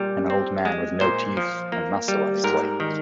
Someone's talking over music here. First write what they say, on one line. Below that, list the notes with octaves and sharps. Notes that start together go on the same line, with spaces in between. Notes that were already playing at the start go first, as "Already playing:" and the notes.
An old man with no teeth and muscle on his body.
Already playing: A#2 G3
C4
G#3
A#2 C5
F3
A#3
G3
G#2 A#4
D#3